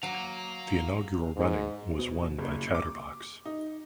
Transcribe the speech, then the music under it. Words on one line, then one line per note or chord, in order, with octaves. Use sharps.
The inaugural running was won by Chatterbox.
F#3 F5 A#5
G#2
B2
F#1
D6
D#4